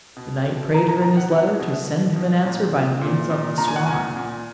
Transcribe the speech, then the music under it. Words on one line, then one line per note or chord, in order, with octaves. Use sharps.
The knight prayed her in his letter to send him an answer by means of the swan.
B2
B2
B2 A#5
A#5
B2 A#5
F#5
B2
B2
B2
B2
A#2
A#2
A#2
A#2
A#2 A#5
G#5
F#5
A#2 G#5
A#2